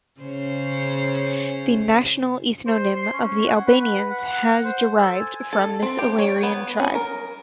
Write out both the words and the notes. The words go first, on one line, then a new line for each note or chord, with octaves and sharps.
The national ethnonym of the Albanians has derived from this illyrian tribe.
C#3 C5 C#5
C5
C6
C#4
F#5
B4
F#5
C5
A4
G#5
A4
C4
G4
C#5
B3
C#4
A#4